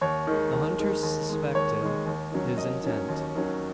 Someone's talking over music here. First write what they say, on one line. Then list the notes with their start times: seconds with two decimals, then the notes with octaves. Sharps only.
The hunter suspected his intent.
0.01 D#2 C#5
0.27 D#3 G#3
0.53 D#2
0.79 D#3 G#3
1.03 D#2
1.29 D#3 G#3
1.55 D#2 C#5
1.81 D#3 G#3
2.06 D#2
2.32 D#3 F#3 C#4
2.57 D#2 D#5
2.83 D#3 F#3 C#4
3.09 D#2
3.35 D#3 F#3 C#4